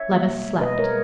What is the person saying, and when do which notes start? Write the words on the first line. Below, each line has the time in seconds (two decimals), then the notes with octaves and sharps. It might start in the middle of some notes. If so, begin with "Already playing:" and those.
Levice slept.
Already playing: C#5 E5
0.10 G3 A#3
0.27 B2
0.44 G#3
0.61 B2 B4 D#5
0.78 G#3 A#4 C#5